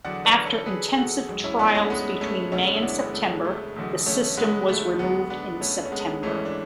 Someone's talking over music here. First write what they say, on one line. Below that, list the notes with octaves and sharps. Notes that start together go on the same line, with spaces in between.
After intensive trials between May and September, the system was removed in September.
E2 D3 F#3 D5 F#5
B4 D5
A4 C#5
G#4 B4
F#4 A4
A1 G#2 F#3
C#4 E4
B3 D4
A3 C#4
G#3 B3
A3 C#4
E1 D2 D3 F#3 A3 C#4
G#3 B3
E4
B3 D4
G#3 B3
A3
G#3
A3
E1 E2 D3 F#3 A3
A3 C#4
G#3 B3
A3
A3
D2 D3 F#3 G#3 B3
B3 D4
A3 C#4
C#4
G#3 B3
G#1 G#2 E3 A3 C#4
D4